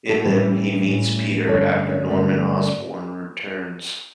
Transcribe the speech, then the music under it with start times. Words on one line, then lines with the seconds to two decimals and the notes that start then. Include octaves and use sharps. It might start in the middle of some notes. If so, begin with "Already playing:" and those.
In them, he meets Peter after Norman Osborn returns.
0.09 F#4 A4
0.24 A2 E3 G3 C#4 G4 B4
0.86 A2 E3 G3 C#4
1.48 G2 D3 A3 C#4 A4 C#5
1.68 B4 D5
1.89 C#5 E5
2.10 G2 D3 A3 C#4 B4 D5